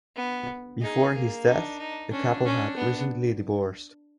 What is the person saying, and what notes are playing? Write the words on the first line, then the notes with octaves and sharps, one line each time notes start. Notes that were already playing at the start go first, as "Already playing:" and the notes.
Before his death, the couple had recently divorced.
B3
D#4 G#4
A#3
D4 D#4
D#4
C#4 D4
C#4
B3